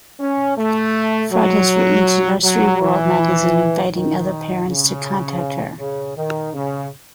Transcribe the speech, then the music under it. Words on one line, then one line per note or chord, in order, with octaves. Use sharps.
Fryd had written to "Nursery World" magazine inviting other parents to contact her.
C#4
A3
F#3
F#3
E3
D#3
C#3
C#3
D#3
C#3